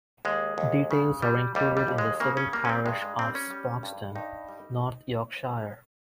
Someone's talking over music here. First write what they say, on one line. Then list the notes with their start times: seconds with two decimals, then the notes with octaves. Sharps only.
Details are included in the civil parish of Sproxton, North Yorkshire.
0.25 D#2 G#3
0.58 D#2
0.91 C#3
1.22 G3
1.55 D#2 G3
1.77 G3
1.88 D#2
1.98 G#3
2.20 C#3 A#3
2.37 C#4
2.53 G3 A#3
2.65 C#4
2.69 C4
2.86 G2 G#3
3.02 G#3
3.19 G3 C4
3.35 C#4
3.51 G3
3.83 G2
4.15 G2 D#4
4.49 G3